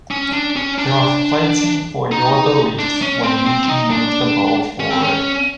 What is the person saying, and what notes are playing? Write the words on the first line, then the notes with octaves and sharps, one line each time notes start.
You're fighting for your beliefs when you can move the ball forward.
C#4
D4
C#4
D4
D#4
D4
C#4
C4
C4
D#4
D4
C#4
C4
C#4